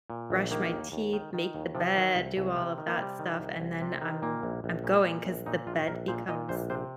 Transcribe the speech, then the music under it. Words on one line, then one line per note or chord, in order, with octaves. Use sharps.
brush my teeth, make the bed, do all of that stuff, and then I'm I'm going 'cause the bed becomes
A#2
A#1
D#3 A#3
D#2
D#2
D#3
D#3
D#2
C3 F3
D#3
C2
C2
C3
D#3
A#3
C3 G3
D#3
C2
C2
C3
D#3
A#2 A#3
A#1
A#1
A#2
A#2
A#1
A#2 D#4
A#1 F4
A#1 A#4
A#2 C5
A#2 D#5
A#1 C5
C3 C5